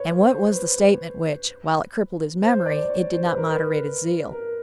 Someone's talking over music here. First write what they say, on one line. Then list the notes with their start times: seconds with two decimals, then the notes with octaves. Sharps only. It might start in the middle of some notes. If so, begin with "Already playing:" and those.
And what was the statement which, while it crippled his memory, it did not moderate his zeal?
Already playing: B4 C#5
0.21 C5
0.52 B4
2.42 C5
2.66 D5
2.90 C#5
3.13 C5
3.25 B4
3.37 A#4
3.49 B4
4.32 A#4